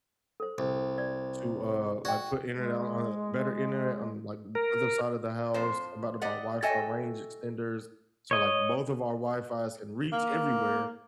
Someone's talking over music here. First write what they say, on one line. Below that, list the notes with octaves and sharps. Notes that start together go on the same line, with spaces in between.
to, uh, like put internet on better internet on like other side of the house, I'm about to buy Wi-Fi range extenders, so like both of our Wi-Fis can reach everywhere.
A4 C5
C2
D5
F#4 D5 G5
G#3
A#4
F2 F3 C5
G4 D5 D#5 F#5
F#4 A4 D#5 E5 G5 G#5
C#5 D#5
A#3